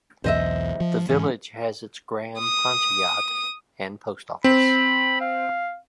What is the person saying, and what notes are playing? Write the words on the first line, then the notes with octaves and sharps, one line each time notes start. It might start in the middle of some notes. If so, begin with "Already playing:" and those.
The village has its Gram Panchayat and Post Office.
B1 E2 C5 D#5 E5
F3
G#2 E3 C#4
D#6
C4 B5
F5